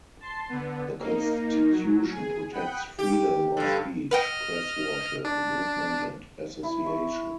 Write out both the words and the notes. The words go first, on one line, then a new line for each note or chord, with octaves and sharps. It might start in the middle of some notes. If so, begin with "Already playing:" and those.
The constitution protects freedom of speech, press, worship, movement, and association.
A5 C6 C7
D3 B3
A#3 D#4
F#3
G#4 G#5
F#5 G5 B5 D#6 F#6 G6
G4
G2 D3
B4 D#5 F#5 G5 F6
D4
E4
C#6